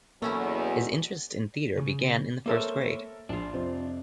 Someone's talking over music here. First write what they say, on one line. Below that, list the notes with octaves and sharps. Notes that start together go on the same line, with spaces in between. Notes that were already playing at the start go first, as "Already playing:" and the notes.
His interest in theatre began in the first grade.
E2 B2 F#3 A3 A#3 C#4 E4
C#3
A#3 A4 A#4 C5 C#5 E5
A#1 D4 F4
F2 C3 C5